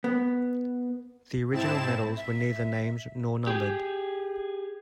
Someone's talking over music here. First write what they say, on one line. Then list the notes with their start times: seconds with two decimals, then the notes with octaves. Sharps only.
The original medals were neither named nor numbered.
0.04 B3
1.50 G#2 C4 E4 A5 E7
2.17 E5
3.47 G4 G#4